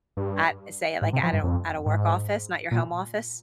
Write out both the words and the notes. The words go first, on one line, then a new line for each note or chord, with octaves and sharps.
at, say like, at a at a work office, not your home office?
G2
G#2
C3
F3
G2
F2
G#2
A#2